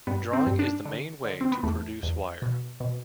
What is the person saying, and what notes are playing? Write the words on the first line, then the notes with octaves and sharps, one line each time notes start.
Drawing is the main way to produce wire.
G2 B3
C4
G2
D4
D3
D3
C4
B3
E2 A3
E2
B2
B2